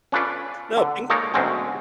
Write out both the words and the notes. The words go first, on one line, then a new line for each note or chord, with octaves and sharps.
No, ping
C#4 D4 F4 A4 B4 D5
D3
G#3 A#3 D#4 A4 A#4 C#5
D2 B2 F#3 G#3 C4 C#4